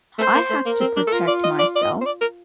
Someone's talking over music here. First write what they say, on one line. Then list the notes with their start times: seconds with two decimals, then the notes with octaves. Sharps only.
I have to protect myself.
0.18 A3 C5
0.34 A#3
0.50 A3
0.65 A#3 A#4
0.81 C4
0.96 D4
1.07 A4
1.12 F4 A#4
1.28 D5
1.44 D#5
1.59 D5
1.76 D5
1.83 D#5
2.01 C5
2.06 D5
2.21 A#4